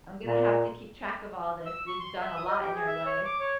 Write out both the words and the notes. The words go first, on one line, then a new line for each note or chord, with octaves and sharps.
I'm gonna have to keep track of all this, you've done a lot in your life.
A#2
E6
C#6
C6
E5
D#6
D#5
G4
G#4
E5
C#5
D6
C#5